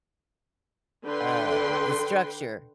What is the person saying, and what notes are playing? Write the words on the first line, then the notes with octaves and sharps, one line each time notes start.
uh, the structure
D3 B4 G5 C6